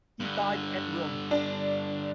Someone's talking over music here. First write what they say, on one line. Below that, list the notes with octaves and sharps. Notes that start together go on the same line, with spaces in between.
He died at Rome.
G2 D3
D4